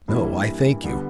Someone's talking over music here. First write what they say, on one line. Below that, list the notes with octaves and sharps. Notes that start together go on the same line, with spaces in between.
"No, I thank you."
G2 E3 G3 A#3 E4
D3 G3 B3